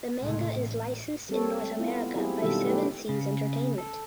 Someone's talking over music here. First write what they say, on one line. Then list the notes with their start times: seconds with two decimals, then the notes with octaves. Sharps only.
The manga is licensed in North America by Seven Seas Entertainment.
0.20 C#2 A2 C3 G#3 A3
0.52 A1
1.29 G3 C4 A4 C#5
1.79 B3 E4 F4
2.15 F#3 C4 E4 G4 G#4
2.42 B2 D#3 G3 F4 A4 E5
2.64 F#3 A3 C#4 E4 G4 B4
3.09 C#3
3.78 A4